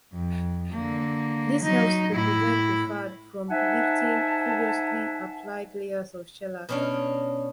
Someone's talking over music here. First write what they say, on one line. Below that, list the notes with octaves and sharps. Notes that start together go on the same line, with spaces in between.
This helps to prevent the 'fad' from lifting previously applied layers of shellac.
F2
D3 A#3
F#3 D#4
A2 E4
D#4 C5 E5 F#5 G#5 A5
B2 C#4 D4